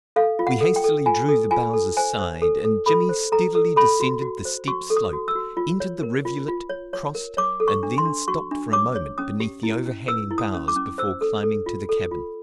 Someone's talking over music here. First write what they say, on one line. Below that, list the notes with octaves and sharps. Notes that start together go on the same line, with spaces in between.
We hastily drew the boughs aside, and Jimmy steadily descended the steep slope, entered the rivulet, crossed, and then stopped for a moment beneath the overhanging boughs before climbing to the cabin.
A4 F5
F4
F#5
A4
G5
A4
F4 G#5
A4
F4 G#5
A4
C5 G#5
C5
A4
A4
A4 B5
C5
A4 A#5
A4
A4 B5
F#4
F#4
C5
F#4 C#6
A4
D#6
F#4
E6
F#4
F4
C#5
A#4
F4
F4
C#5
C#5
A#4
C#5 D6
A4
C#6
D4
C6
D4
F#4 C#6
D4
C#5 D6
C#5
C#4 D#6
G4
E4
C#4
B4 E6
E4
D#6
C#4
D6
C#4
C5 E6
A4
A4
F4
A4
F4